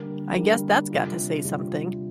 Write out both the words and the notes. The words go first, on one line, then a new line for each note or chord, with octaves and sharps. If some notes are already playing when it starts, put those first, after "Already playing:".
I guess that's got to say something.
Already playing: D3 G3 A#3
D3 G3 A#3
C3 G3 D4 F4
C3 G3 D4 F4